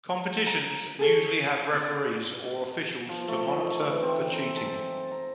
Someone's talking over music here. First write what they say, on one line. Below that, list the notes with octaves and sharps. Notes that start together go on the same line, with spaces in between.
Competitions usually have referees or officials to monitor for cheating.
A#5
G#4 A4 C#5
D4 D5
F3
A3
D#4
E3
C4
A#5
A5
A#5